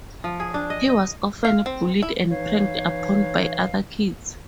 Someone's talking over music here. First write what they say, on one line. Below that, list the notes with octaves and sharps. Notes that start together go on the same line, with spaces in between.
He was often bullied and pranked upon by other kids.
F3
G#4
D4
D#5
D#5
F5
C4
E4
E3 D#4 B4 C#5 F5